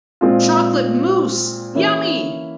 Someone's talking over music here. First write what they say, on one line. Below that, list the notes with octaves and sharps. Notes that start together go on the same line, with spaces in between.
Chocolate mousse; yummy!
A#2 G#3 C4 F4
E3 A#3 C#4 E4